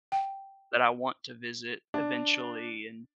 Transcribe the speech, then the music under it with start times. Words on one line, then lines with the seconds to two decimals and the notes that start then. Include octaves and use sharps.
that I want to visit eventually and,
0.12 G5
1.94 D4